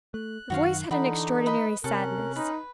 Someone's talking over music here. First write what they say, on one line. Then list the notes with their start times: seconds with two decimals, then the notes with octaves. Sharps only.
The voice had an extraordinary sadness.
0.14 A3 F#6
0.50 F#2 D#3 F#4 C#5 F5
0.91 D3 E3 D#4 D5 F#5 B5
1.46 B4 D#5 B5
1.84 C3 C#4 A4 A#4 F#6
2.36 D#4 B4